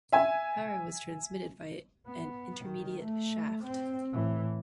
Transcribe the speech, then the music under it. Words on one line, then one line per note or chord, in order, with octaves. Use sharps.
Power was transmitted via an intermediate shaft.
E5 G#5
B3
D#3
A3
C4
A2 E3